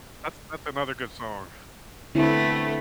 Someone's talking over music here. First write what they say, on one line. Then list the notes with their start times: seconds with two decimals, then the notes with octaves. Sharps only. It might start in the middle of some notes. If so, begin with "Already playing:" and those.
That's that's another good song.
2.15 D3 A3 B3 C4 E4